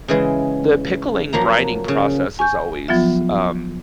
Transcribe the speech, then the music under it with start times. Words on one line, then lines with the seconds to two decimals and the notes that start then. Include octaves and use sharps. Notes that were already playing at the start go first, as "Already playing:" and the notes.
The pickling brining process is always, um,
0.08 C#3 E3 G#3
1.33 F3 F#3 A#3 A#5
1.88 C#3
2.39 G#5 C#6 G6
2.88 F3 F#3 B3 F4 E5